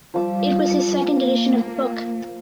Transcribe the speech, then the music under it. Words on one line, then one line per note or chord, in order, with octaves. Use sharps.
It was his second edition of the book.
F3 G3 D6 E6
A#3